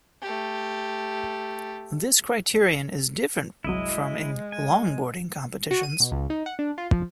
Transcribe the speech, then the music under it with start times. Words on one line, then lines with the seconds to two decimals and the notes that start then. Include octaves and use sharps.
This criterion is different from in longboarding competitions.
0.22 A3 G4
3.64 G1 C2 F#3 G#3 E4 D#5
4.52 G#5
5.71 F#4
5.83 D#7
6.00 B2
6.12 C#2
6.30 D#4
6.46 F#5
6.59 D4
6.78 F4
6.92 F3